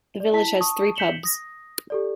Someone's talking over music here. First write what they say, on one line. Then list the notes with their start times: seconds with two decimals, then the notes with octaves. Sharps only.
The village has three pubs.
0.20 D5
0.33 E4 A5 B6
0.61 A5 C#6 D#6
0.96 G6 B6 C#7 E7 F#7 G7
1.24 D#6 A#6
1.90 G4 A4 D5